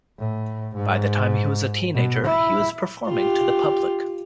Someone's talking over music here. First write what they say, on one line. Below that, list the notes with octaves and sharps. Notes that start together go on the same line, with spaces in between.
By the time he was a teenager he was performing to the public.
A2
G#2
B2
E4
F4 G4